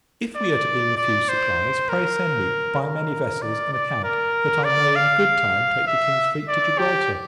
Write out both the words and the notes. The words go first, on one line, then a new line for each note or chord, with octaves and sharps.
If we are to be refused supplies, pray send me, by many vessels, an account, that I may in good time take the King's fleet to Gibraltar.
D5
D5
C5
A#4
A#4
D5
D5
A#4
D5
F5
E5
D5
G4